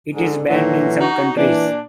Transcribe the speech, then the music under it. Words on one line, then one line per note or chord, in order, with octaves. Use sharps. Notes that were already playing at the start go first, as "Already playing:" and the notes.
It is banned in some countries.
G#2 D3
A#2 D3 E3 F#3
D#4 F#4
A#2 E3 D4